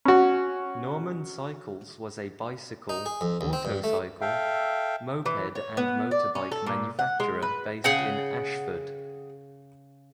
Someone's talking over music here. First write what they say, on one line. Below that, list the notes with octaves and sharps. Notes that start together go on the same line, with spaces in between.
Norman Cycles was a bicycle, autocycle, moped and motorbike manufacturer based in Ashford.
C#4 F#4
D#4
G#4
F2
D#2
C4
G2
A3
A4 E5 F5 G5
E3
C#5
B3
D5
C#4
A4
A#2
F#5
G#3
B4
C#3 G#4 F#5 G5